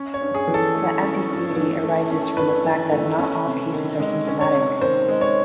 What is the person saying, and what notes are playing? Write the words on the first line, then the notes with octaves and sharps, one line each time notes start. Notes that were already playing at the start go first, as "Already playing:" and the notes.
The ambiguity arises from the fact that not all cases are symptomatic.
Already playing: C#4
C#5
G2
G#4
E3
A4
A3
C#4
G2
E3
A3
C#4
G2 B4
E3
A3
C#4
C3
D#3
G#3
C#4
C#5
C3
D#3 C5
G#3
C#5